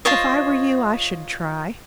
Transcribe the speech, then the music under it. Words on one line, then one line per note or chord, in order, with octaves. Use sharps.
If I were you, I should try.
F4 C5 C#5 D#5